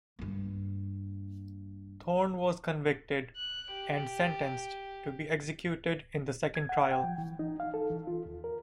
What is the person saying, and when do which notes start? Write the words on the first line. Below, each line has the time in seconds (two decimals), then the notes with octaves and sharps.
Thorne was convicted and sentenced to be executed in the second trial.
0.19 G2 A#3
3.36 F#6
3.73 G4
6.55 G#6
6.69 F#5
6.91 G5
7.04 F3
7.18 E3
7.39 D#4
7.60 F5
7.74 A4
7.90 E3
8.07 F4
8.26 D#2
8.44 A#4